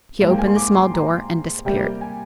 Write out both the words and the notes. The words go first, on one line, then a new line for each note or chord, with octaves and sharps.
He opened a small door and disappeared.
G#2 G3 A#3 F5
G5
G#5
C6
D6
C6
A#5
C3 G3 A#3 G5
G#5